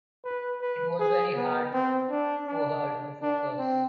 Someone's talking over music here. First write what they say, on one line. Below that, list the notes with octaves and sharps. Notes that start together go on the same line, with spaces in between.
It was very hard for her to focus.
B4
B4
G#4
B3
C4
D4
D4
D4
C4